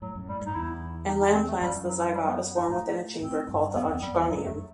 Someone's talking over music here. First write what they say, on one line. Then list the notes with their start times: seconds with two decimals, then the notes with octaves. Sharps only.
In land plants, the zygote is formed within a chamber called the archegonium.
0.02 A2 F#3
0.15 F#2
0.28 A2 G3
0.42 G2 D#4
0.55 E2 E4
1.08 D#4
1.21 D#4
1.35 C4
1.48 A3
1.62 F#2 G3
1.88 F#3
2.15 G3
2.29 B3
2.56 D#4
2.69 A2 D#4
3.22 A2 C4
3.49 G2
3.75 F#2 B3
3.83 C4
3.89 E2 B3
4.02 F#2 G3
4.16 E2
4.29 F#2 F#3
4.46 A3
4.49 F#2